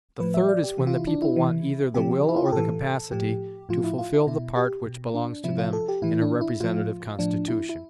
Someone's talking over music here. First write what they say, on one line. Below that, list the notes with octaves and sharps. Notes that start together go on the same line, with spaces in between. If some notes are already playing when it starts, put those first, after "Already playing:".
The third is when the people want either the will or the capacity to fulfill the part which belongs to them in a representative constitution.
A2 F3 B4
E5
D5
G4
C3 E3
F4
E4
D4
E4
C3 E3
C3 F3 G4
E4
F4
G4
A2 E3 A4
A2 F3 G4
A2 F3 F4
E4
F4
E4
B2 E4
G4
B2
D4
C3 F3 E4
F4
A4
G4
A2 E3 E4
D4
E4
A2 F3 F4
A2 F3 D4
E4
E4